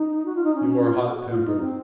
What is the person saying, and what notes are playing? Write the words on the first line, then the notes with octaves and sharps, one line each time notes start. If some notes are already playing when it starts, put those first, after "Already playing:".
"You are hot-tempered."
Already playing: D#4
F#4
F4
D#4
C#4
C#4
F#4
F4
F4
F#4
A4
F#4
F4
D#4
C4